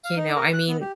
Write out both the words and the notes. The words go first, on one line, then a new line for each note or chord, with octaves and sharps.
You know, I mean,
F5
D#4
A#4
F#6
B3
G4